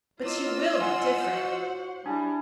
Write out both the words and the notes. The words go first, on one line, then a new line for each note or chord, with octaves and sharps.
But she will be different.
E4 F4 C#5 D#5 D6 E6
C5 F#5 G#5 C6
F#4
G3 D4 E4 G#5